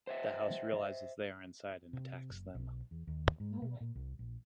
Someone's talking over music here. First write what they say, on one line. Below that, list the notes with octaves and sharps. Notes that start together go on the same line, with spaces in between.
The house realizes they are inside and attacks them.
C5 D#5 E5
C3
F#1
B1
E2
D#2
G#2
B2
A#2
C2
A#1